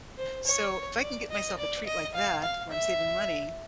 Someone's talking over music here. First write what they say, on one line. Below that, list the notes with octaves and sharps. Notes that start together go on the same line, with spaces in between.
So, if I can get myself a treat like that, where I'm saving money,
C5
C#5
D5
D#5
D5
D#5
F5
F5
E5